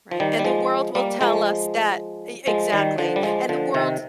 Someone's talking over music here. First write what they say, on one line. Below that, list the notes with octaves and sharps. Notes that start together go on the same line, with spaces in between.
Right, and the world will tell us that e exactly, and the world
F3
D#3 G3
G3
F3 G#3
G3 A#3
F3 G#3
F3 G#3
D#3 G3
D3 F3
G3
F3 G#3
D3 F3
C3 D#3